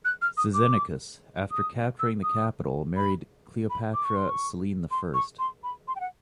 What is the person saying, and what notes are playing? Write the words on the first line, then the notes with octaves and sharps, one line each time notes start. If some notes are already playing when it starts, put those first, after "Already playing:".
Cyzicenus, after capturing the capital, married Cleopatra Selene the First.
F#6
F6
D#6
D6
D#6
E6
D#6
B5
B5
D6
C#6
C6
C#6
C6
C#6
C6
B5
C6
G5
F#5